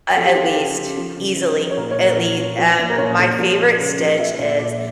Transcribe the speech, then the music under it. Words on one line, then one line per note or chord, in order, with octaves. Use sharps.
At at least, easily. At lea Um, my favorite stitch is
F3 A4
G4
F3 F4
G4
C#3 A4
C#3
F3
C#3
C#3
F3
C#5
A#2 A#4
C#5
A#2
A#4
F3
F3
F3
A#2
A#4
A#2 C#5
A#2 A4
F3
F3
C#3
F3
F3 E5
A#2
A#2 D5